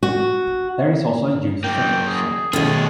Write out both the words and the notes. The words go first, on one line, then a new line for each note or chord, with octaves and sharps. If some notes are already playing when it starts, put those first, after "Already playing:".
There is also a youth football side.
F#4
F#2 A#3 G5
G#4
D#2 B2 A3 F4 G#4